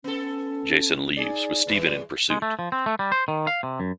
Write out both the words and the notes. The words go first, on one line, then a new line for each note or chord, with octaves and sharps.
Jason leaves with Steven in pursuit.
B3 C#4 A4
D#4 G#4 D5
E2 G3 B4
G#3
A3
F3
C4
A3
G3
C5
D#3
F5
C3
F#2